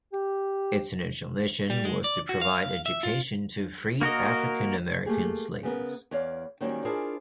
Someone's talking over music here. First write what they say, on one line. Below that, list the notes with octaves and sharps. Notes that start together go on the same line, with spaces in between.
Its initial mission was to provide education to freed African American slaves.
G4
G3
G#3
D5
F#4
F5
E5
F4
A#3 F#4 A#4 D#5
A3 A#3 G4 G#4
C#3 B3 A#4
E2 C#5 D5 F5
D#3 F#3 G3 A#3 C4 C#4
D4 E4 F4 G#4 A#4 C5